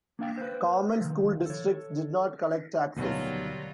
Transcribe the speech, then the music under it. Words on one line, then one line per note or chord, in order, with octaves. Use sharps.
Common school districts did not collect taxes.
A#3 D4 F5 G5
B4 C5
D#3 F3
A4 C#5
D2 B2 D#3 F#3 G3 F4